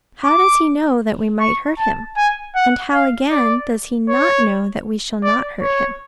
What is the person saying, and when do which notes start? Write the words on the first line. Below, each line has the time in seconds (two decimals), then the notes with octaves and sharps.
How does he know that we might hurt him? and how again does he not know that we shall not hurt him?
0.25 D6
1.40 C#6
1.78 A5
2.17 G#5
2.55 F#5
2.93 F5
3.31 D5
4.09 C#5
5.23 D5
5.62 C#5